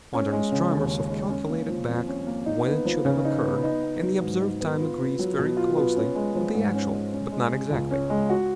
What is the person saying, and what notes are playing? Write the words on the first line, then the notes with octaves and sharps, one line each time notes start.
Modern astronomers have calculated back when it should have occurred, and the observed time agrees very closely with the actual, but not exactly.
C#4
G#3
C#3
D#2
C#4
G#3
C#4
A#3
F3
F2
C#4
A#3
D#4
B3
F3
C#3
D#4
B3
D#4
B3
F#3
G#2
D#4
B3
F4
B3
F#3
B2
F4
B3
C#4
G#3
F3
G#2
C#4
G#3
C#4
G#3
C#3
C#2
C#4
G#3
F#4